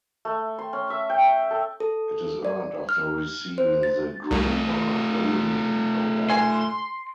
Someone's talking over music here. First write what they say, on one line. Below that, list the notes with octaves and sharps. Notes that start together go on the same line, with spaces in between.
It is earned after receiving the Grover Loening Award.
A3
C6
C#4
E5
G5
A4
A4
D5
F6
C5
A6
C2 A3 F4
G#5 C6